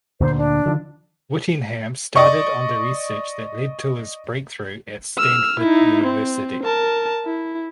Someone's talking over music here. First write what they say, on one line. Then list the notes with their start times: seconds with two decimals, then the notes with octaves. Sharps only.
Whittingham started on the research that led to his breakthrough at Stanford University.
0.21 D2 A#2 D3 C5
0.37 D4
0.66 D3 D#3 F3
2.16 D5 D#5 C#6
5.17 E6 F6
5.60 D#4 E4
6.04 C4
6.63 A#4 A5
7.25 E4